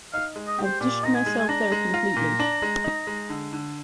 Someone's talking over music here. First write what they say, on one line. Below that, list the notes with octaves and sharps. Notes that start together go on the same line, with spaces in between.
I've dished myself there completely.
D#4 F5
G#3
D#5
G4
C5
A#2 D5
D#4 A#5
G#5
G#3
G#5
D4 A#5
G#3
F4
A#2
D4
G#3
D#4
G#3
D3
D3